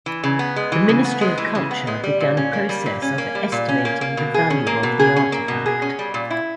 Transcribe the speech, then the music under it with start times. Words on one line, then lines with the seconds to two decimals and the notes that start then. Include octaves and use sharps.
The Ministry of Culture began a process of estimating the value of the artefact.
0.06 E3
0.24 C#3
0.39 B3
0.56 G#3
0.72 E3
0.89 C#3
1.04 B3
1.21 G#3
1.38 E3
1.55 C#3
1.71 B3
1.87 G#3
2.03 G3
2.20 A#2
2.37 C#4
2.53 A#3
2.69 G3
2.86 A#2
3.02 C#4
3.18 A#3
3.35 G3
3.52 A#2
3.69 C#4
3.85 A#3
4.01 A#3
4.17 B2
4.34 G#4
4.50 C#4
4.67 A#3
4.83 B2
4.99 G#4
5.16 C#4
5.32 A#3
5.48 B2
5.66 G#4
5.82 C#4
5.99 G3
6.14 A#2
6.30 E4